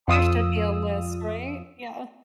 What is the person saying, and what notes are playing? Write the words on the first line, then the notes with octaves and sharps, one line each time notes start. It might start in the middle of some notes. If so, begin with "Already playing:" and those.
There should be a list, right? Yeah.
F2 F4 D#6 E6